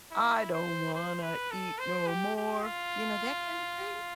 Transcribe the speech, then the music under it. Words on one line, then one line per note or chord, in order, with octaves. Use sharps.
I don't wanna eat no more. You know, that kind of thing?
E4
C5
C5
B4
A4
C5
G4
G4
F4